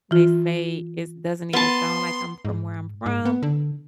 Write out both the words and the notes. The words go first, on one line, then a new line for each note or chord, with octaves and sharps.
They say it's doesn't even sound like I'm from where I'm from,
E3 F4
B3 A5 C6
G#2
G#2
B3
D3